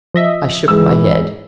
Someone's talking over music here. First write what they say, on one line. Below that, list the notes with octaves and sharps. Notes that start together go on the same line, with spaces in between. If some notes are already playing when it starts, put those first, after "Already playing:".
I shook my head.
F3 D#5 E5
G#2 E3 G#4 E6